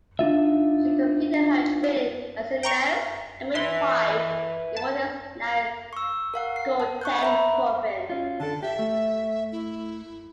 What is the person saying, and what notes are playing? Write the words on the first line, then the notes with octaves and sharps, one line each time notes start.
She completed her training as a nurse and midwife in what is now Gauteng Province.
D4 D#4 F4 E5
G5 A#5 C#6
B4 E5 C6
A5
C#6 E6
A#4 F5 F#5
C7
A5
C#6 F#6 G6
E5 A#5 B5
C#4 F4
D3 D4 A4 A5
G4 E5
A3
E4